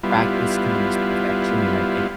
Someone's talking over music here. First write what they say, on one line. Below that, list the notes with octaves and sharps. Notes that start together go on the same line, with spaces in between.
practice comes perfection, and I think,
G3 B3 E4 F4